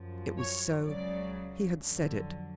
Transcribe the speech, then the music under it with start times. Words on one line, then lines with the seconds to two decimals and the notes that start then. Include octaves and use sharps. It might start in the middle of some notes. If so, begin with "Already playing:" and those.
It was so; he had said it.
Already playing: F#2 F3
0.38 C#5
0.84 C#2 C#3 F#3 D5
1.80 F2 D3 F#3